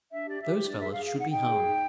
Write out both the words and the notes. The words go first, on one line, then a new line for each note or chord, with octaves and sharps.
Those fellows should be hung.
D4 E5
G4 D5
G4 E5
D4
D5
G#4 E5
F5
G#4
F5
D#4 F#5
D#4 G5
G#4
D#4